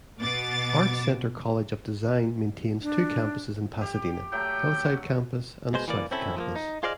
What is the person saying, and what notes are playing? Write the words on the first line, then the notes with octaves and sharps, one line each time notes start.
ArtCenter College of Design maintains two campuses in Pasadena: Hillside Campus and South Campus.
B2 B3 D6 A6
D4
G4 G5
F#3 A3 G4 G5
F#5
B2 G#3 C5
E3 A#3 D5
C4 C#4 E4 A4
F3 A3 A#3
D#4
F4 G#4 C5 D5 D#5 F5